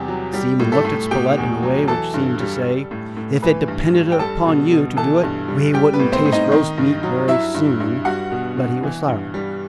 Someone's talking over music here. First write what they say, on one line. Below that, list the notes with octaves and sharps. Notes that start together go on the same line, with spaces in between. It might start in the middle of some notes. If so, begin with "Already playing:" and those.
The seaman looked at Spilett in a way which seemed to say, "If it depended upon you to do it, we wouldn't taste roast meat very soon"; but he was silent.
Already playing: E2 C3 G3 G4
F#3
G3 G4
A2
A3 A4
A2
B2 G4 G5
E2
F#3
E3 A4 A5
G2
G3
G3
A2
A2
E3 B4 B5
G2
G3
G5
G3 A4 A5
B2
B2
E3 A4 A5
G2
G3
G3 G4 G5
B3 B4
A2
C4 C5
A2
D#4 D#5
D#3
G2
F#3
F#3 E4 E5
G2
G2
G3 F#4 F#5
B2
B2
E3
G2
G3